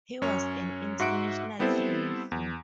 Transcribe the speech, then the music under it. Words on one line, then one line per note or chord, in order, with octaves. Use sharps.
He was an international referee.
F#2 C#4 C#5
G#2 F#4 E5 F#5 C#7 D7
G3 B3 C4 E4 A4 C5
E2